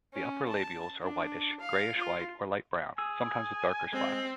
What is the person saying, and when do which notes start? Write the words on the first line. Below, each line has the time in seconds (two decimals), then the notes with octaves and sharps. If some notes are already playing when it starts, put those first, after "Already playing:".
The upper labials are whitish, greyish-white or light brown, sometimes with darker spots.
0.14 C#4
0.48 A5
1.02 D4
1.60 F5
1.96 F4
2.98 G#4 G#5 E6
3.93 G#3 C4